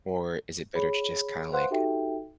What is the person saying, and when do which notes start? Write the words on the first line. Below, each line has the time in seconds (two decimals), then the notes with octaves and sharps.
or is it better to just kinda, like,
0.74 G#4 C#5 B5
1.52 B4 C5 F5 F#5 C6 F#6
1.71 D#4 F#4 G4 A4 E5 G5